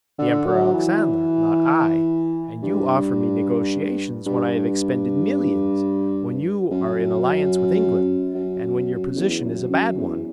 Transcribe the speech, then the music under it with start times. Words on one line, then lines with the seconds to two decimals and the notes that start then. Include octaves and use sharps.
The Emperor Alexander, not I! And you offer me negotiations when I have expended millions, when you are in alliance with England, and when your position is a bad one.
0.19 D3
0.45 F#3
0.73 E3
2.63 G2
4.26 G2
6.71 F#2
8.34 F#2
9.16 E2
9.43 F#2
9.70 F#2
9.97 E2